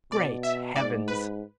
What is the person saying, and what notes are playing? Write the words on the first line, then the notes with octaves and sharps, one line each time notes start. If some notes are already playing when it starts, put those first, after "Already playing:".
Great heavens!
B2 D5
E5
G#2 D5
B4